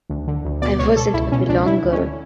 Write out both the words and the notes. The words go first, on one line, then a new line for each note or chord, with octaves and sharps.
I wasn't a belonger.
D2
D3
D2
B2 D5
C#2 C#5
B2 A4
C#2 E4
B2 C#4
C#2 D4
D3 E4
D2
C#4
D3